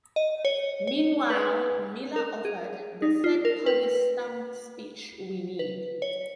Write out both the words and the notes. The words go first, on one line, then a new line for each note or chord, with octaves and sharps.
Meanwhile, Miller offered "The third-party stump speech we need".
D#5
C#5
C#5
B4
A#4
G#4
D#4
F4
A#4
B4
B4
C#5